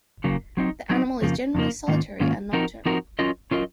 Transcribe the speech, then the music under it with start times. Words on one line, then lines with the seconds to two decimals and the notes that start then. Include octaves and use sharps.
The animal is generally solitary and nocturnal.
0.24 C#3 F#3 A#3
0.57 F#3 C4 D#4
0.90 F#3 C4 D#4
1.22 F2 C#3 F3 A#3
1.55 F2 C#3 F3 A#3
1.88 G#2 D#3 A#3 C#4 F4
2.20 G#2 D#3 A#3 C#4 F4
2.53 F3 C4 D#4 F#4 A#4
2.86 F3 C4 D#4 F#4 A#4
3.19 F#3 C#4 F4 A#4 D#5
3.51 F#3 C#4 F4 A#4 D#5